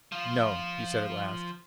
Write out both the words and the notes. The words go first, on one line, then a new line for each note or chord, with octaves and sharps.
'No,' he said at last.
F3 F4